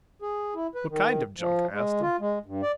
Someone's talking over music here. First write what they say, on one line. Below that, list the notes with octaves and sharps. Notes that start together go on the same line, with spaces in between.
"What kind of junk?" I asked him.
G#4
E4
B4
D#3
F3
G#3
F4
G#3
G2
D5